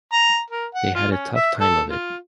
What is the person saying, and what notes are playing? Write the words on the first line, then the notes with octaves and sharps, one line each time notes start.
They had a tough time of it.
A#5
A#4
F#5
F4
C#4
E5
A4
F4